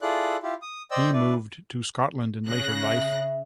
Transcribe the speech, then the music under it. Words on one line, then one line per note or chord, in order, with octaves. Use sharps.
He moved to Scotland in later life.
E4 F4 G#4 A4 D5 F#6
E4 F4 G4
D#6
C5 D5 D#5 G5 E6 G6
D4 E4 B4 D5
C#3 F#6 A#6
E5